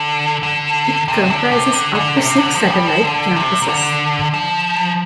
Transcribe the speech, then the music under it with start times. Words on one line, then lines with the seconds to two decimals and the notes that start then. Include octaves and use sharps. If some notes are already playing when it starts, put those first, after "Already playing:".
It comprises up to six satellite campuses.
Already playing: D3
0.43 D3
1.08 C3
1.30 D3
1.51 C3
1.73 D3
1.95 D3
2.17 C3
2.38 D3
2.54 F3
2.70 G3
2.87 F3
3.03 D3
3.36 C3
3.62 C3
3.69 D3
4.34 F3